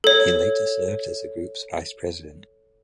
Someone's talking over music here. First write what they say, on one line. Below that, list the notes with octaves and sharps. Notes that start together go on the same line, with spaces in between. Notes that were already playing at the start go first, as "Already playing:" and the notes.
He later served as the group's vice-president.
A4 C#5